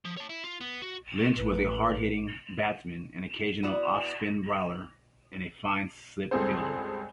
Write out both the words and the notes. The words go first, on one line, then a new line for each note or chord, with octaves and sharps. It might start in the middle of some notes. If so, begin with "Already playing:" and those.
Lynch was a hard-hitting batsman, an occasional off-spin bowler and a fine slip fielder.
F3
C#5 A5
E4
F4
B3
F#4
A1 B4
B3 E4 F#4 D5
C#2 G2 C4 G#4 A4 C5